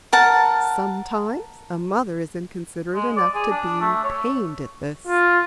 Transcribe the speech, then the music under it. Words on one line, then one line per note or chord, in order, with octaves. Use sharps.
Sometimes a mother is inconsiderate enough to be pained at this.
A#4 F#5 A5
G#3
D5
G#4
D4
A3
C#5
F4